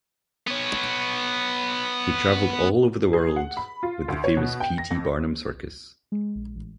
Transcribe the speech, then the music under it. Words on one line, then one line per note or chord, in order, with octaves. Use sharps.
He traveled all over the world with the famous P. T. Barnum circus.
B3 C#5
G#4
F#5
B5
F4
D2
C#5
B2
G5
A#6
F2
G#3
A#1
A1